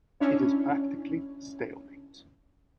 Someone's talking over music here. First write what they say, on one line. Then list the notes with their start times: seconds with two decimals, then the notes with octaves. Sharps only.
It is practically stalemate.
0.20 C#4 D4 E4 C#5